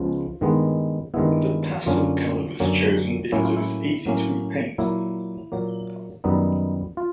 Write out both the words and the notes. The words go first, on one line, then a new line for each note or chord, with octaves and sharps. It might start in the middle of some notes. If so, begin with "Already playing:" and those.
The pastel colour was chosen because it was easy to repaint.
Already playing: C#2 C#3 F3 G#3 B3 F4
G2 D#3 G#3 B3
G2 D#3 G#3 B3 E4
F#2 D3 F#3 A#3 C#4 F4
F#2 D3 F#3 A#3 C#4
A2 F#3 A#3 C#4 E4
F4
E4
A2 F#3 A#3 C#4
A#2 F#3 A#3 E4
A#2 F#3 A#3
F#2 D#3 G3 B3 D#4
F4